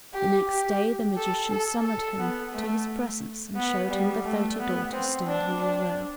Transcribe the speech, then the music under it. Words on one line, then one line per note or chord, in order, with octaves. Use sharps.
The next day the magician summoned him to his presence, and showed him the thirty daughters standing in a row.
G4
G4
A4
A4
A4
B3
A3
B3
G3
A3
B3
C4
D4
D4